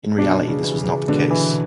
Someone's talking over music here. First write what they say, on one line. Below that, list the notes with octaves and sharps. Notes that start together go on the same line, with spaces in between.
In reality, this was not the case.
B2 D4
D4
C#3
E3
C#3
E3
B2 D3 D4
E3